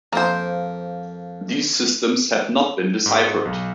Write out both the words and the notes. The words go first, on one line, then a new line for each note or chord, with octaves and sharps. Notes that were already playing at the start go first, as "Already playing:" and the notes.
These systems have not been deciphered.
F2 A#3 C5 D#6
G#2
B1